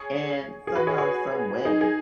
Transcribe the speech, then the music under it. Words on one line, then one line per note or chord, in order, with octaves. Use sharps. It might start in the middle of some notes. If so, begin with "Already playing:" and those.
and somehow, some way,
Already playing: G#4 C#5
G#4
F#4 B4
G#4 C#5
G#4 C#5
D#4 G#4
G#4